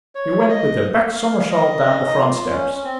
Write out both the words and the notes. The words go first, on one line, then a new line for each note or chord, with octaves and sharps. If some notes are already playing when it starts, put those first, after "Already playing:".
We went with a back somersault down the front steps.
C#5
D#5
F5
D#5
C4
C#4
D#4
F4
C#4
C#4
C4